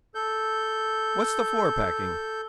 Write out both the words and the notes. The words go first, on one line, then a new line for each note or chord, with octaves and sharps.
What's the floor-packing?
A4 G6